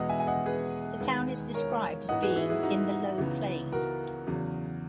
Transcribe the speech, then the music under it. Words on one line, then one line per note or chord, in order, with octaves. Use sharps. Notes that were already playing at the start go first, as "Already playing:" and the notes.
The town is described as being "in the low plain".
Already playing: E2 B2 G#3 B3 D#5 F#5
E5 G#5
G#5
D#5 F#5
G#4 B4
D#2 D#3 G#3 B3
A#4 C#5
G#2 E3 B3 D#5 F#5
G#4 B4
F#4
E4 G#4
E4 G#4
D#4 F#4
C#2 C#3 E3 B3
F#4 A#4
E2 C#3 F#3